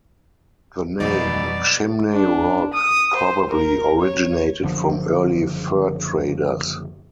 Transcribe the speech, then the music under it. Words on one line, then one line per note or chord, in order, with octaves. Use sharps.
The name "Chimney Rock" probably originated from early fur traders.
F2 B2 E3 F#3 G3 D#4 D5
D4
D#6
C5
A#4
C#5
F#1 D3 F3